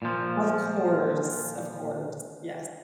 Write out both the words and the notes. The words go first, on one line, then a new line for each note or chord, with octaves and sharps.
Of course. Of course. Yes.
A#2 F3